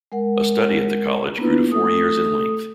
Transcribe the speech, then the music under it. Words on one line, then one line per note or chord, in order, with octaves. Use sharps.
A study at the college grew to four years in length.
G#3 A#4 F#5
A#3 B3 D4 E4 F4 B4
A3 A4 D#6